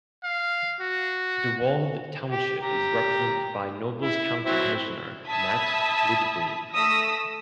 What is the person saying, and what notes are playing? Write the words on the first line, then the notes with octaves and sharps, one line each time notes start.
Dewald Township is represented by Nobles County Commissioner Matt Widboom.
F5
F#4
G4
G4 A#5
E4
F#3 C4 E4
E5 A5 B5 D#6 G#6 B6
A3 D#6 E6 A#6 B6